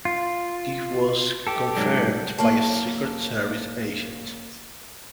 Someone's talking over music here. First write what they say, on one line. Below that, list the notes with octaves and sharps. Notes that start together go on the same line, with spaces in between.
This was confirmed by a Secret Service agent.
F4
G4 A4
G#2 F#3 G3
F#2 A#3 A#4 C#5 A5